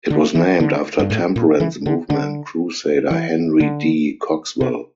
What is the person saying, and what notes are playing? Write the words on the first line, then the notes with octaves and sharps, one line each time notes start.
It was named after temperance movement crusader Henry D. Cogswell.
D3
E3
D3
G2
A2
A#2
E3
D3
D3
E3
D3
C3